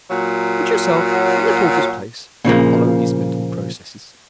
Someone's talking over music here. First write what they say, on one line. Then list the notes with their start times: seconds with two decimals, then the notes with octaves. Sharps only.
Put yourself in the porter's place and follow his mental processes.
0.10 A#2 F#3
2.45 A#2 C#3 F3 A#3